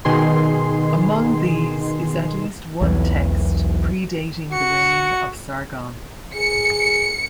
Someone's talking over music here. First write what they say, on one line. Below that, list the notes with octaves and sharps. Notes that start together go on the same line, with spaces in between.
Among these is at least one text predating the reign of Sargon.
B2 D#3 G#4 C6
B1 E2 E3
F#4 C#7
G#4 C#7